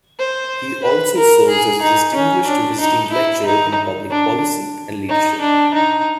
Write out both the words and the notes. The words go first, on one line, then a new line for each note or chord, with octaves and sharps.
He also serves as a Distinguished Visiting Lecturer in Public Policy and Leadership.
C5
B4
A#4
G#4
D#4
C#4
D4
D#4
E4
D#4
D4
D#4
D4
D#4